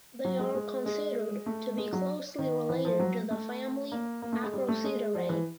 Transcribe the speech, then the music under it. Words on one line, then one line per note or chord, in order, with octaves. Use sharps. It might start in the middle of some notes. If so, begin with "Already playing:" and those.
They are considered to be closely related to the family Acroceridae.
F#3
G#3
G#3
G#3
A3
G#3
F#3
D#3
E3
F3
F#3
A3
A#3
A#3
A3
G#3
G3
A3
G#3
F3
E3